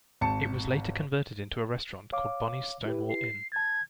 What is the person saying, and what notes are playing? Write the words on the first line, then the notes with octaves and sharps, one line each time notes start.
It was later converted into a restaurant called Bonnie's Stonewall Inn.
G#1 A5 C#7
C#5 F5 D6
E4 G4 B4
C7
A5 G#6 A6